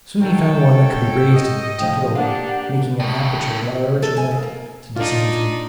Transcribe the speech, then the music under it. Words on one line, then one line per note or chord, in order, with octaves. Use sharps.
Soon he found one that could be raised and tipped it over, making an aperture large enough to descend through.
D#3 F#3 A4 C#5 G5
D#5
A2 D3 F3 G5
A#3 D4 G4 F5 F#5
A2 C#3
A4
G#5
D#2
A#3
D4 D#4 F4